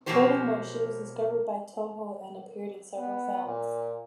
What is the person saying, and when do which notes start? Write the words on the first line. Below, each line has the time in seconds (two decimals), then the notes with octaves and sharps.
Furthermore, she was discovered by Toho and appeared in several films.
0.06 B2 F3 F#3 A#3 G4 C5
2.98 B3
3.45 A#2